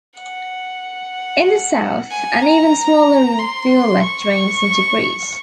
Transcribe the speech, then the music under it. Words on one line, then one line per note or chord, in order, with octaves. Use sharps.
In the south, an even smaller rivulet drains into Greece.
F#5
G#5
A#5
C6
C#6